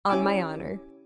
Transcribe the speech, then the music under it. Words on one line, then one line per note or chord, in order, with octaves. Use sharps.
"On my honor."
C#4 E4 G4 G#5 D6 E6